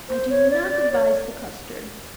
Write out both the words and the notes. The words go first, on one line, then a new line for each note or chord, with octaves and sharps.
I do not advise the custard.
C5
C#5
D5
D5
C#5